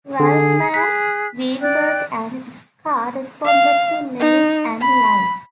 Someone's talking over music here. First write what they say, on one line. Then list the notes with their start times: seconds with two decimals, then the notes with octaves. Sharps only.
Waldman, Weinberg, and Scarr responded to Levin and Lynn.
0.20 D3 G#4
0.74 G#4 F#6 B6
1.62 D5 G5 F#6
3.45 F5
4.20 D#4
4.81 B5